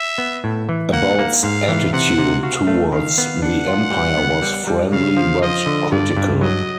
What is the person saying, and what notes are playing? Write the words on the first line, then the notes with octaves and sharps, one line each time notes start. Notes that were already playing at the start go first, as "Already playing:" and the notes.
About's attitude towards the empire was friendly but critical.
Already playing: E5
B3
A2
E3
A#3 F#5
A#3
G#2 F5
E3
C3 F#5
C3
F#4 F5
A3
D#3 F5
B3
D4 F#5
F4
G3
B3
G3
G3
C#3 F5
F3
F3 D#5
D3
G2 D5
G2
F#3 D#5